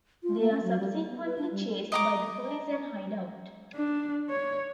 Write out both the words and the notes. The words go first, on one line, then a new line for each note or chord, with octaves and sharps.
They are subsequently chased by the police and hide out.
F4
A#3
C#4
F#3
G3
E4
B3
B4
D4
G3
D#5 A#5 D6
D4
C#5